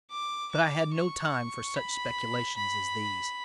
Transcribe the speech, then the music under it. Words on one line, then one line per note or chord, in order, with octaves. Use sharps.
But I had no time for such speculations as these.
D6
D6
C#6
B5
B5